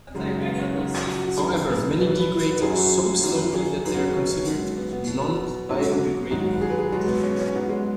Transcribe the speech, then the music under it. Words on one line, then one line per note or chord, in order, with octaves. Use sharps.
However, many degrade so slowly that they are considered non-biodegradable.
F#2 C#3 F#3 G#3
G#3
B3
C#4
F#2 C#3 F#3 D#4
F#4
F#4
F#2 D#3 F#3 G#4
G#4
B4
B2 F#3 B4
B4
B4
F#2 F#3 G#4
F#4
F#2 D#3 F#3
G#4
F#2 D#3 F#3 B4
B3
C#4
F#4
C#4
B2 F#3 G#3
B3
B3
B2 F#3
G#2 F#3 C#4
F#4
G#2 D#3 F#3
G#4
B4
G#4
B2 F#3 G#3
B3
C#4
C#4
G#2 F#3 B3
G#3